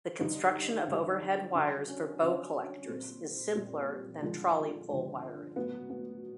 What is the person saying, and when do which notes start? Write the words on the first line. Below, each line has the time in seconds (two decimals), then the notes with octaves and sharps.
The construction of overhead wires for bow collectors is simpler than trolley pole wiring.
0.20 D3 G3 D#4
0.88 D3 G3
1.54 D3 F#3 D4
1.88 C#4
2.22 D3 F#3 C#4
2.88 A#2 G3 C4
3.55 A#2 G3
4.22 D3 F3 G#3
4.89 D3 F3 G#3
5.56 A2 F#3 B3
5.90 B3